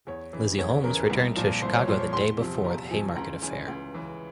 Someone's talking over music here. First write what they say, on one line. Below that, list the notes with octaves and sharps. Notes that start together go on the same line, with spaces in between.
Lizzie Holmes returned to Chicago the day before the Haymarket affair.
E2 C#5
C#3 E3
E2 C#5
C#3 E3 A#4
C2
A#2 F3
C2 C5
C#5
A#2 F3 C5
C#5
E2 C6
C3 F3
E2 A#5
C3 F3 G#5
C#2 A#5
C#3 E3 G#5
C#2
C#3 E3